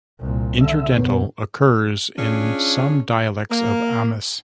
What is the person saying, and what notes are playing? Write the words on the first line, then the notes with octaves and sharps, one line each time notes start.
Interdental occurs in some dialects of Amis.
C2 A#2
D3 E5
F#2 B2 B3
C#4 D4 F4 G#4
A#3